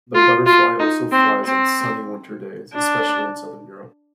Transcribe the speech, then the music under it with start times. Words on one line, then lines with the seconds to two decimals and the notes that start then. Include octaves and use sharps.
The butterfly also flies on sunny winter days, especially in southern Europe.
0.15 F4
0.46 F4
0.79 D#4
1.12 C4
1.45 C4
2.74 D4